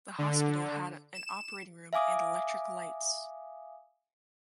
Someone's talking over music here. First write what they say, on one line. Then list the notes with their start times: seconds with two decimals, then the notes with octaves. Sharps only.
The hospital had an operating room and electric lights.
0.18 D3
1.14 E7
1.93 E5 F5 G#5 D6 D#6